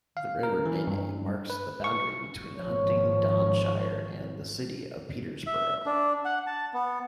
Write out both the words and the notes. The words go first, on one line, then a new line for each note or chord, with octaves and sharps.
The River Nene marks the boundary between Huntingdonshire and the City of Peterborough.
F5
A#4
E3
G2
B4
C#6
G#1 F3 C#5
E5
D4
F#5
A5
B3